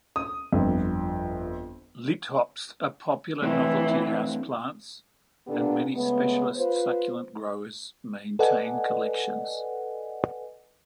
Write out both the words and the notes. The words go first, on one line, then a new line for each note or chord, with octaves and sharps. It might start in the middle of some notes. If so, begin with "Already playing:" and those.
"Lithops" are popular novelty house plants and many specialist succulent growers maintain collections.
D#6
G1 F2
E3 A3 C4 D4
A#2 D3 B3 D4 G4 A4
C#3 G#3 A3 B3
F4 B4 C5
A4 B4 D5 D#5 F#5 G#5